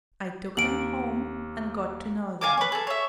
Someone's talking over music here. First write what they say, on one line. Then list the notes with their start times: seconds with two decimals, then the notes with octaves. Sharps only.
I took them home and got to know them.
0.57 D#2 D7 F#7
2.41 F5 G#5 D6
2.58 B4 C#5
2.72 G#4 A4
2.87 C#5 E5